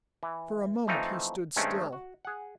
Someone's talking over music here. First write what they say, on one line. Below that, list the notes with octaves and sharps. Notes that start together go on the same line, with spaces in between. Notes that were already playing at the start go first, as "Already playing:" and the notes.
For a moment he stood still.
E3
E3 F3 A3 C4 D#4 F5
G2 D#3 G#3 A3 C4 C#4
F#4
G#4 F#5